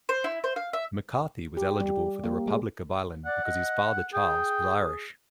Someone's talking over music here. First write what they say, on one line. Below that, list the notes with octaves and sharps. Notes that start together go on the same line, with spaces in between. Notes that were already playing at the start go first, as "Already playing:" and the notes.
McCarthy was eligible for the Republic of Ireland because his father, Charles, was Irish.
C5
E4
C5
F5
E5
G4
G3
A#3
G#3
D5 F#5
D#5
G#4 G5